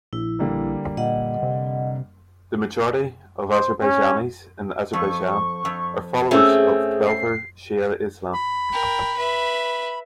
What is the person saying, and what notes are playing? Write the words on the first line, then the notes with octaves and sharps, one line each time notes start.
The majority of Azerbaijanis in Azerbaijan are followers of Twelver Shia Islam.
A#1 E4
D3 G3 A#3
A#2 D#5 F#5
C3
C5
C#4
F2 C#6
F2
A3 C4 C#4 G#4
C7
B5
A#4 G5
B4 E5